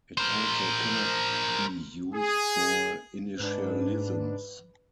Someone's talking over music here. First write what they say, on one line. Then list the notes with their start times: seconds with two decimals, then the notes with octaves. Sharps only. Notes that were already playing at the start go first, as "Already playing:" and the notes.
It also cannot be used for initialisms.
0.18 A#4 C5
2.15 G#4
3.39 G#2 D4 B4